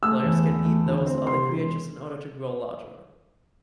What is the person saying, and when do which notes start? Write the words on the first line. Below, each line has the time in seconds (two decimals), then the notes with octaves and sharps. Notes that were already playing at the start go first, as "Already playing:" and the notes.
Players can eat these other creatures in order to grow larger.
0.03 A3 E6
0.23 E2
0.44 E2
0.65 A3
0.86 D2
1.06 C4
1.27 C3 C6
1.48 E1